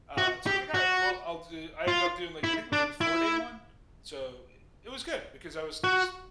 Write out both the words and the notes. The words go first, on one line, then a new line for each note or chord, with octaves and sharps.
Uh, so I was like, "Alright, well, I'll do" I ended up doing, like, think it was, like, a four-day one. So, eh, it was good because I was just
F#4
G4
F#4
F4
E4
D4
E4
F#4